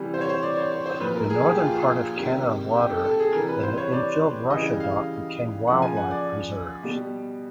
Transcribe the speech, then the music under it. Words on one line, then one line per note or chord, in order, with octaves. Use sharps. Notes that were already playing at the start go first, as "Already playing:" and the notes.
The northern part of Canada Water and the infilled Russia Dock became wildlife reserves.
Already playing: C3 E3 G3
C5
C#5
C5
D5
C#5
C#5
C5
A#2 F3 B4
A#4
G#4
G4
F4
C3 D#3 G3
G4
A4
A4
G#4
C3 E3 G3 A#4
B4
C5
C#5
D5
C#3 E3 G3 D#5
F5
C#3 F3 F#5
G#5
F#5
D5
B2 G3